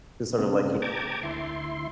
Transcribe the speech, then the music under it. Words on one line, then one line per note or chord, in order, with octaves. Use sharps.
to sort of, like, you
C#3 A#3 C4
G5 A5 A#5 D6 G#6
D2 E4 C6